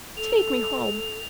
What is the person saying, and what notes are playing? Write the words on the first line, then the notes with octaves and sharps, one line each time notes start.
Take me home!
A4 F7